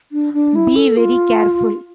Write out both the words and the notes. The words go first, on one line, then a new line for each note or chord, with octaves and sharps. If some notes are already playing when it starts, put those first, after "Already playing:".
Be very careful.
D4
D4
E4
A4
F4